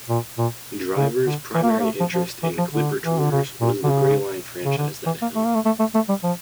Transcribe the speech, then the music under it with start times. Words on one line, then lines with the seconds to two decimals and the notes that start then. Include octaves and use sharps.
Driver's primary interest in Clipper Tours was the Gray Line franchise that it held.
0.09 A#2
0.38 A#2
0.97 C#3
1.26 D3
1.55 E3
1.63 A#3
1.70 A3
1.79 A#3
1.84 A3
2.00 F3
2.14 F3
2.43 E3
2.58 F3
2.72 D3
3.05 E3
3.18 D3
3.31 C#3
3.61 A#2
3.84 D3
3.89 C#3
4.65 C#3
4.77 D3
5.06 E3
5.22 A#3
5.35 A3
5.45 A#3
5.54 A3
5.65 A3
5.79 A3
5.95 A3
6.09 G3
6.23 F3